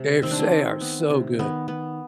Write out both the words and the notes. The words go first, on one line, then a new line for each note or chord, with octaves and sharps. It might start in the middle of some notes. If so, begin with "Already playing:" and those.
Yes, they are so good.
Already playing: C3 G#3
D#3 C4
D4
C4
D#3
B3
C3
D#3 B3
B3